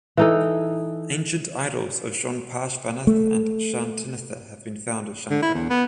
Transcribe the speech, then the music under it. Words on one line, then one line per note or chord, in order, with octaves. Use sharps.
Ancient idols of Jain Parshvanath and Shantinatha have been found at Shankara.
E3 D#4 A4
A3
D3
E4
E2
B3